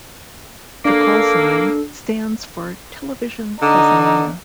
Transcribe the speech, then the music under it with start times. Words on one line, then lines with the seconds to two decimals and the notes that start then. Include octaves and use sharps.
The callsign stands for "TeleVision Tasmania".
0.85 A#3 D4 A4
3.62 D3 D#4